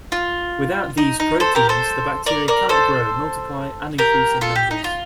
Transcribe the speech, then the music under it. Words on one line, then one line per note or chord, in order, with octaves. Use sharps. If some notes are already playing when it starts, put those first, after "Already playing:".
Without these proteins, the bacteria cannot grow, multiply and increase in numbers.
F4
D#4
D#4
A4 C5
G4 A#4
A4 C5
A#4 D5
A#4 D5
A4 C5
G4 A#4
F4 A4
G4
D#4
F4